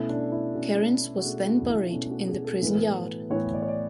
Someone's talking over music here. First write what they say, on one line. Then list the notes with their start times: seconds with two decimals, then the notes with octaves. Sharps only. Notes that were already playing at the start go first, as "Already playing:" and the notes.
Kerins was then buried in the prison yard.
Already playing: B2 A3 C#4 E4
0.09 D4
0.32 E4
0.55 B2 A3 C#4 F#4
1.17 F#4
1.23 B2 A3 C#4 G#4
1.47 F#4
1.69 E4
1.92 B2 A3 C#4
2.10 F#4
2.28 G#4
2.44 A4
2.62 A2 E3 B3
3.30 A2 E3 B3 C#5
3.53 D5
3.62 C#5
3.68 D5